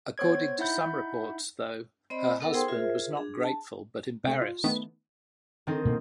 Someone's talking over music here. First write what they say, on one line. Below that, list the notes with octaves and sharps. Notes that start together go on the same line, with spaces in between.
According to some reports, though, her husband was not grateful, but embarrassed.
B3 C5 C#5 G#6
D#4 E4 E5 F#5 B5 G6
C4 C5 D5 D#5 B5
B3 A4 A#4 F#5 E6
D#4 G#4 C5 G5 C6
F4 G#4 A#4 C5 E5
D4 G#4
A5
C3 A3
F4
D#3 A3 B3
D#3 C4 D#4
B2 A#3